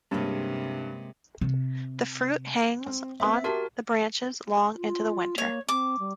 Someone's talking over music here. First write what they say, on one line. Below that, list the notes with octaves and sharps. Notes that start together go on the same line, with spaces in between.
The fruit hangs on the branches long into the winter.
G2 C3 G#3 A#3 C#4
C3
C4
B3 C4 E5
F#4 G4 A#4 A5 C6
F4
A#3 C#5
C4 D6
G3